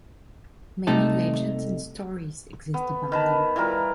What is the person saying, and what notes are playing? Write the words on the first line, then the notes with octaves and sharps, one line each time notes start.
Many legends and stories exist about him.
C3 G3 A3 D#4 A4
B3
D#3 B4 A5
E3 G3 F4 A#4